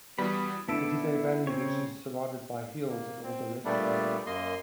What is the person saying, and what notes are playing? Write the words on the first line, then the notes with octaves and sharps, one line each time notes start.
It is a valley which is surrounded by hills in all directions.
E3 G3 B3 F#4 B5 D#6
D3 B3 D4 E4 A5 E6 D7
C#3 C4 C#5
A#3
C4
A#2 G3 A3 B3 D4
F#2 A#3 D#5 C6